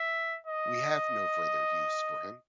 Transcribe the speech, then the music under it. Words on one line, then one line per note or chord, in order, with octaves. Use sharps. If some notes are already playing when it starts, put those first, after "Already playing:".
We have no further use for him.
Already playing: E5
D#5